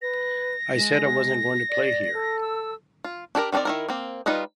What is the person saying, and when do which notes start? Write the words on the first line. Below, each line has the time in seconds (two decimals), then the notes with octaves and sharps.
I I said wasn't going to play here.
0.02 B4 A#6
0.75 G#3
1.70 D5
2.14 A4
2.42 E6
3.04 F4
3.35 D4 G4 A4 A#4
3.52 D#3 C4 D4 A#4 D5
3.65 D#3 E4 A#4
3.88 A#3 C4
4.26 G3 D#4 F4 B4 D#5